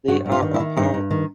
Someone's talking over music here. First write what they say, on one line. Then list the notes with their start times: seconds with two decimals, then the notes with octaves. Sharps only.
They are apart.
0.08 G2 F#4
0.26 G2
0.32 F4
0.42 D#3
0.54 E4
0.60 D#3
0.77 G2 D#4
0.94 G2
1.11 D#3